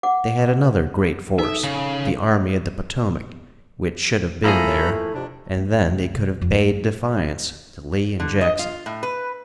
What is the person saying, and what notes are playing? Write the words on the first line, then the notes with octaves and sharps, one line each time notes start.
They had another great force, the Army of the Potomac, which should have been there, and then they could have bade defiance to Lee and Jackson.
F#5 D6
D#4 A4 E5
C#3
F3 A3 A#3 E4 G#4 A4 A#5 B5
F2 C3 D4
A3
B3
F1
D2
C3
E2
F2
A3
A1
D3
D#5
F4
A2
B4